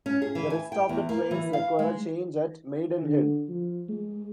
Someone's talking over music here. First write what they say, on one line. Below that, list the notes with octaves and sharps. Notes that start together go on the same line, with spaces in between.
The rest of the trains require a change at Maidenhead.
C#4
G#4
E3
G#5
G5
E2
A#3
E3
F5
G#3
D3
F3
G#3